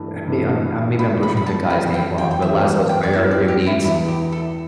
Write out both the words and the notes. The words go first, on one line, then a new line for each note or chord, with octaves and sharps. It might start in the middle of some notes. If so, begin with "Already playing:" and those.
I mean, I'm I'm maybe I'm pushing the guy's name wrong, but Laszlo's hierarchy of needs.
Already playing: G2 E3 A3
G2 E3 A3
G2 E3 A3 B5
B5
B5
A5
E2 E3 B3 B5
G5
G5
G5
E2 E3 B3 E5
G5
D5
E2 E3 B3 E5
D5
G4
E4
E2 E3 B3 E4
G4
A4